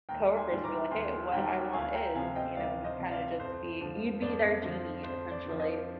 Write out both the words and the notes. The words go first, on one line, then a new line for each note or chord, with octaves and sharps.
coworkers would be, like, "Hey, what I want is," you know, and you kinda just be, you'd be their genie, essentially.
D#2 G5 A#5
G#5 C6
D#3 G3
A#5 D6
D#2 G#5 C6
D#3 G3 G5 A#5
D2 F5 G#5
G5 A#5
C3 F3 F5 G#5
D#5 G5
D2 D5 F5
C5 D#5
C3 F3
D5 F5
F2 C5
D3 F3
F2 D5
D3 F3
F2 C5
D5
D3 F3
C5 D#5